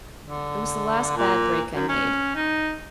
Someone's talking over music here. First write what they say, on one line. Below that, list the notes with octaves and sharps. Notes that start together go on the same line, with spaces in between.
It was the last bad break I made.
D3
A#2
F#2
C#4
D#4